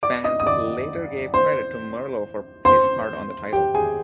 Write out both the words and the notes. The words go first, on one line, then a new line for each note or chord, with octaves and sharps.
Fans later gave credit to Merlo for his part on the title.
D5 D6
D#5 D#6
D#6
D5 D6
C5 C6
C5 C6
G4 G5
G#4 G#5